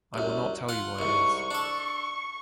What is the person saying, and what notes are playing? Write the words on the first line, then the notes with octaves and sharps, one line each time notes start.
I will not tell you what it is.
C2 F#2
F4 F#5
C2 G#2 C#6
D4 A4 C#6